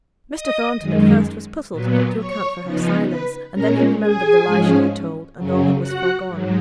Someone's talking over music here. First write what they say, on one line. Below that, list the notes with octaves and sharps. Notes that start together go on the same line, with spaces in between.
Mr. Thornton at first was puzzled to account for her silence; and then he remembered the lie she had told, and all that was foregone.
D#5 D#6
F#2 D#3 G#3
A#2 F#3 B3
C#5 C#6
C#3 F3 B3 D#4
B4 B5
A#2 G#3 C#4 A#4 A#5
G#4 G#5
G#2 F3 G#3 C#4
F#2 C#3 F#3
F#4 F#5
G#2 F#3